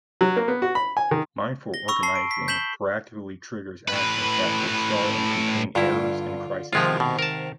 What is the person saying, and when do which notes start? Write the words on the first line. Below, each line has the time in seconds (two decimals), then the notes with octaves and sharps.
Mindful organizing proactively triggers actions that forestall and contain errors and crises.
0.21 F#3
0.36 A#3
0.48 B3
0.62 F#4
0.75 B5
0.97 G#5
1.11 D#3
1.74 A#6 G7
1.88 B5 C#6 E6
2.03 A5 C7
2.15 D7
2.31 B6
2.48 G6 B6 E7 F#7 G7
3.88 A2 B4
5.75 G2 D3 E4 F4
6.73 G#2 C3 D#3 F3 G#3 F4
7.00 B2
7.19 A#4 A5